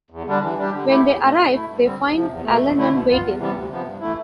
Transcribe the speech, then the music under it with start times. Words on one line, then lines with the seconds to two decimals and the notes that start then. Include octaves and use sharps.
When they arrive, they find Allanon waiting.
0.10 E2
0.26 D3 G3 D4
0.42 E3
0.57 G3 D4 G4
0.73 D3
0.89 A3 E4 G4
1.05 E2
1.20 B2 A3
1.35 B2
1.51 A3 E4
1.66 G2
1.82 D3 G3 C4
1.98 E2
2.14 C3 F3
2.29 E2
2.44 B2 A3
2.60 F2
2.76 D3 A3 E4
2.91 B2
3.07 B3 F4
3.23 E2
3.38 C3 E3 G3 B3
3.54 D2
3.69 C3 F3 B3
3.85 G2
4.01 E3 A3 E4